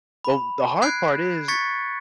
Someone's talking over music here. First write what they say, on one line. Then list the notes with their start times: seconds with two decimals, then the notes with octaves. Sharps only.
but w the hard part is
0.25 B5
0.82 F#6 G#6 C7 D7
1.48 C#6 G#6 A6 B6 C#7